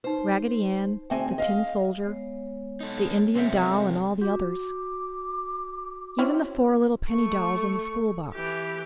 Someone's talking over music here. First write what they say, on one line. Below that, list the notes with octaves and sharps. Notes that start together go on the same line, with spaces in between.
Raggedy Ann, the tin soldier, the Indian doll and all the others--even the four little penny dolls in the spool box.
D#4 B4 C5
D2 C4 G#4 E5 G5 G#5
D#5 F5
G#3 B3 C#5
D#4 A4
C3 F3 C4 A4 A#4 E5
F#4 D6
C4 C#4 E4
A3 C#6
E3 G4